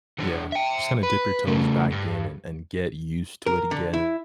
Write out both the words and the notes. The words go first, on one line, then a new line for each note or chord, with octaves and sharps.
Yeah. Just kinda dip your toes back in and-and get used to it again.
E3 D4
E5 G5
B4
C#3 A3
G2
A#4
D3
E4